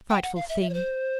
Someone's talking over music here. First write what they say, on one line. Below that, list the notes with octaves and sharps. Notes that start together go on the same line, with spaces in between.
Frightful thing!
G5
F#5
F5
E5
E5
C#5
C5